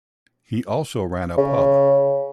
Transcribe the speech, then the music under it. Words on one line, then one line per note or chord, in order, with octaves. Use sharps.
He also ran a pub.
C#3